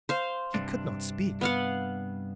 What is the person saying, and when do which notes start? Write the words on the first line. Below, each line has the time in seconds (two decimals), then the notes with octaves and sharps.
He could not speak.
0.09 C5 F5
0.54 G2 C3 D4
1.41 B3 F5 F#5